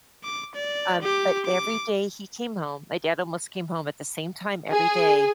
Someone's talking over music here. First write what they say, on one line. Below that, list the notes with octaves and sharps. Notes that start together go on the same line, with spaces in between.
Um, but every day he came home- my dad almost came home at the same time every day-
D6
D5
G4 D6
D6
G#4